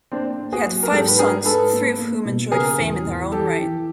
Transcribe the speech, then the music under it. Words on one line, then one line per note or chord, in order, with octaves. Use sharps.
He had five sons, three of whom enjoyed fame in their own right.
A#3 C4 D4
A#3
F#4 G#4
F#3
A#4
G#2 G4 A4
B4
D4 G#4 A#4
G#2 A4 B4
A#3
A#3
B2
C#3 G#4 A#4
E2
E2
E3 G4 A4
E3